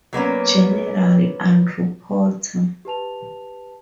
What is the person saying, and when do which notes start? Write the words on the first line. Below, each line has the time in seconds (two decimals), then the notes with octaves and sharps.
General Andrew Porter.
0.13 F#3 A#3 B3 C#4
2.85 G4 B4 A5 F7